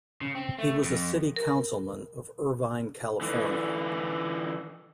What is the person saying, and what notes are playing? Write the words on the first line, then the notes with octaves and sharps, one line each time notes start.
He was a City Councilman of Irvine, California.
C#3
C4
A3
F2
A#4
D3 E3